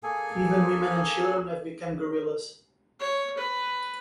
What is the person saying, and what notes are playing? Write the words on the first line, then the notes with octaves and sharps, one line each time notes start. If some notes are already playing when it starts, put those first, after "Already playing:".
Even women and children have become guerrillas.
A#3 G#4 A4 G#5
C#5
B4